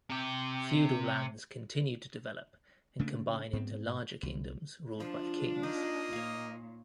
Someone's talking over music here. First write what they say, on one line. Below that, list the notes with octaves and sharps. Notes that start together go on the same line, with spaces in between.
Feudal lands continued to develop and combine into larger kingdoms ruled by kings.
C3 G4
C#3 A3 A#3 D4
G#2 B3 C4
C2
F3 D4 F4
A#3 D#4 D#5 D#6
A#2 C#5 F5